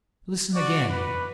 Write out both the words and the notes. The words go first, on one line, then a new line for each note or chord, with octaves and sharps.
Listen again.
F#4 D5
B4